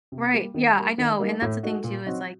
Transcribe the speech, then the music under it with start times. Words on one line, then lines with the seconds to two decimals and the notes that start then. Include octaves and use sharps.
Right, yeah, I know, and that's the thing too, is, like,
0.12 C3
0.33 G3 A#3
0.54 D#3
0.77 G3 A#3
0.98 D#3
1.19 G3 A#3 D#4
1.42 A2
1.63 A3 D#4 F#4
1.84 A#2
2.06 F#3 C4 D#4 F#4